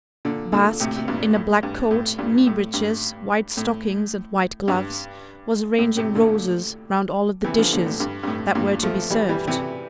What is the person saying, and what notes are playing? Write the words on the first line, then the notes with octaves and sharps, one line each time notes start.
Basque, in a black coat, knee-breeches, white stockings and white gloves, was arranging roses round all of the dishes that were to be served.
A#2 D3
A#2 D3
A2 C3
C3
G2 A#2
A2
G2
A2
G2 A#2
A2
G2
A2
G2
A2
A2 C3
A#2 D3
C3 E3
D3 F3
A#2 D3
A2
G2
G2
A2
G2 A#2
F3 A3
E3 G3
E3 G3
C3 E3